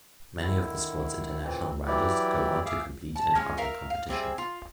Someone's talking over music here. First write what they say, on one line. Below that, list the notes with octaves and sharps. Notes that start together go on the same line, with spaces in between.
Many of the sport's international riders go on to compete in other competition.
D3 D#3 E4
A#2 C#3 E3 C4
E3 F#3 E4 G4 D5
G#4 E5 F5 D6
A5
G#3 C#4 F4
A#4 E5 F5
F5
G3 C4 G#4 E5
F4